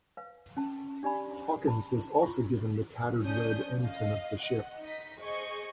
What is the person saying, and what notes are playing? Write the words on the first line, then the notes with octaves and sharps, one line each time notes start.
Hawkins was also given the tattered Red Ensign of the ship.
B4 F5
C#4 A5
D4 G4 D5 G#5 B5
A5 B5
E4 F4 C#6
C#4 D4 D#6 G6
D#5 F5
D#5 F#5
D#4 D#5 B6
G#4 C5 D#5 C#6